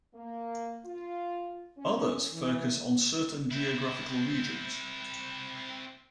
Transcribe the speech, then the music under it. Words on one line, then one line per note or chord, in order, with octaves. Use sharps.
Others focus on certain geographical regions.
A#3
F4
C#4
E3
C4 E4